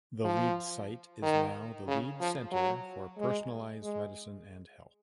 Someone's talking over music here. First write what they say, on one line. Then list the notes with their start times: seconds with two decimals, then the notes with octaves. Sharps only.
The Leeds site is now the Leeds Centre for Personalised Medicine and Health.
0.24 F3
1.22 D#3
1.88 C#3
2.20 F3
2.52 F#3
3.18 G#3
3.83 G#3